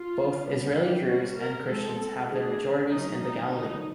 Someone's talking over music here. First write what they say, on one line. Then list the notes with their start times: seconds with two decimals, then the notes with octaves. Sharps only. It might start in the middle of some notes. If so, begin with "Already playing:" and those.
Both Israeli Druze and Christians have their majorities in the Galilee.
Already playing: F4
0.44 G3 B3 D4
0.75 G4
1.05 G3 A#3 C#4 F#4
1.37 A#4
1.66 E3 G#3 C4 A4
2.27 E3 A3 D4 G#4
2.89 F#3 A#3 C#4 D#4
3.20 D#4
3.50 D3 F#3 B3 D#4